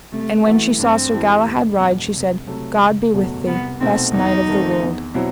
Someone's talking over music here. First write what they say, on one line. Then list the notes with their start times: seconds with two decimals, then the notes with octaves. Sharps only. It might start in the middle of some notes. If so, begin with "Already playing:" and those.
And when she saw Sir Galahad ride, she said: God be with thee, best knight of the world.
0.12 C3 A3
0.45 E3 A3 B3 F#4
0.79 G2 C4
1.13 E3 A3 E4 G4
1.46 E1
1.79 E2 B2
2.14 C2
2.47 C3 F#3 A3
2.80 F#1
3.14 E2 B2 F#3 A3
3.47 C2 B3
3.80 B2 A3 C4 D#4
4.14 E2 D#4
4.48 D#3 A3 C4
4.81 E2
5.14 B2 F#3 C4 E4